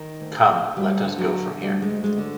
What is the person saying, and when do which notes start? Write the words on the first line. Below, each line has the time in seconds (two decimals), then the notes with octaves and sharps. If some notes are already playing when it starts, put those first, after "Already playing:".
Come, let us go from here!
Already playing: D#3
0.20 D2
0.48 D2
0.77 D2 G3
1.04 D3
1.18 F#3
1.34 D3
1.61 D2 G3
1.82 G#3
1.89 D2
2.04 G#3
2.18 D3